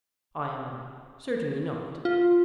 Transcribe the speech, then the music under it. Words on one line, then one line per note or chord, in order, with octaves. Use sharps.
ION: Certainly not.
F4